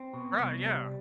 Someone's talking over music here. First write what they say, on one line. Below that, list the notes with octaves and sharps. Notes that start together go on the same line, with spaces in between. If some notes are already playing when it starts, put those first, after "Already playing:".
Right, yeah.
Already playing: C4
B2
C2
G3